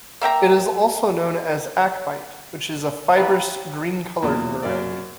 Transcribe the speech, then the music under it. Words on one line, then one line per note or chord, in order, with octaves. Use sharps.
It is also known as acmite, which is a fibrous, green-colored variety.
A#3 E5 G5 A#5
G4 B4 C#5 E5 A#5 B5
E2 A#2 F#3
F#2 B2 A#3 D5